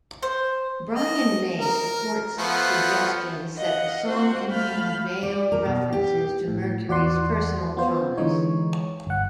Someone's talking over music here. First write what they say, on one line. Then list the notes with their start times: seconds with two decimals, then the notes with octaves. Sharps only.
Brian May supports suggestions that the song contained veiled references to Mercury's personal traumas.
0.23 C5
0.96 D#5
1.61 A#4
2.39 F3 A3 B3
3.57 D#5 F5 F#5
4.06 C4 F4 F#4 C5
4.50 G#3 A3 F5 B5 F6 G6
5.23 D5
5.52 A#4
5.65 B2
5.93 G4
6.48 A2
6.88 E2 F#4 D5 F#5 C6
7.77 B3 F4 C5
8.17 D3 E3 G#3 D#4 C#5
9.07 G1 F#5